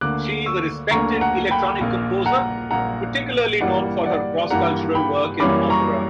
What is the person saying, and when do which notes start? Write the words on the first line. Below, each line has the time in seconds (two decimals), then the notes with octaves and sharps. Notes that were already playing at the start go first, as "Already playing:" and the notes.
She is a respected electronic composer particularly known for her cross-cultural work in opera.
0.01 D2 D3 A#3 D6 F#6
0.46 C#6 E6
0.91 D2 D3 A#3 A#5 C#6
1.21 F#5 A#5
1.51 G5 B5
1.81 A#1 A#2 A#3
2.26 F#5 A#5
2.71 A#1 A#2 A#3 F#5 A#5
3.61 G2 E3 G3 A#3 D5 F#5
4.05 D5 F#5
4.50 G2 E3 G3 A#3 F#5 A#5
4.95 G5 B5
5.40 F#2 E3 G3 A#3 C#4 B5 D6
5.70 A#5 C#6